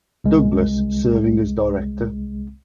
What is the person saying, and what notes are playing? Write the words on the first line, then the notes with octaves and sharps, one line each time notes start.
Douglass serving as Director.
C2 G#3